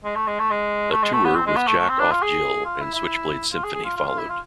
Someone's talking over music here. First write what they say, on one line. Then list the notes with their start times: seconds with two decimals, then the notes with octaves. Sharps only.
A tour with Jack Off Jill and Switchblade Symphony followed.
0.05 G#3
0.16 A3
0.27 G#3
0.39 A3
0.51 G#3
0.91 A3
1.03 G#3
1.13 A3
1.25 B3
1.35 C4
1.46 G#3
1.56 B3
1.67 A3
1.78 A3
1.89 C4
2.00 D4
2.12 F4
2.22 G#4
2.65 F4
2.81 E4
2.95 E4
3.53 F4
3.64 G#4
3.74 G#4
3.85 F4
3.97 F4
4.07 F4
4.18 E4
4.30 F4